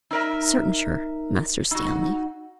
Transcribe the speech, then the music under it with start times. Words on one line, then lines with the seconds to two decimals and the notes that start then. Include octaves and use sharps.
'Certain sure, Master Stanley.'
0.11 D#4 A#4 E5
1.71 D#4 F#4